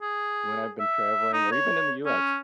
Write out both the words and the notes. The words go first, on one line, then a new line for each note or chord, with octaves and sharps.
when I've been traveling or even in the U.S.,
G#4
E5
D#4
C#5
C#4